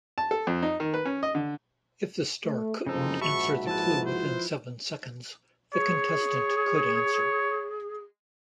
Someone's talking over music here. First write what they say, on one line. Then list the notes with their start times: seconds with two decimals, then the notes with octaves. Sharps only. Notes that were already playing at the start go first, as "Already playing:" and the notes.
If the star couldn't answer the clue within seven seconds, the contestant could answer.
0.18 A5
0.31 A4
0.47 F2
0.63 D#4
0.80 D#3
0.94 B4
1.06 C#4
1.23 D#5
1.35 D3
2.45 A3
2.86 F#1 C#3 F3 C4 D#4 A4
3.21 A#1 G#2 F#4 E5 A5 B5 C#6
3.67 F3 E4 B4 A5
4.07 C5
5.74 G#4 C#5